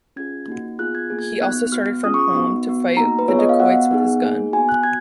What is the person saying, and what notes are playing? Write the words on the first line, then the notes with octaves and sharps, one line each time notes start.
He also started from home to fight the dacoits with his gun.
C#4 F4 G#4 G#6
A#3 D#4 F#4
B3 F4 G#4 F#6
G#6
A#3 F4 G#4
G#6
B3 D#4 F#4 F#6
B3 F#4 F6
C#4 F4 G#4 D#6
C#6
B3 D#4 F#4
B3 F#4
A#3 D#4 F#4 A#5
B4
B3 F4 G#4 C#5
D#5
F5
B3 F#4 F#5
B3 D#4 G#4
A#3 D#4 G#4
B3 F#4 G#5
F#6
F#4 G#6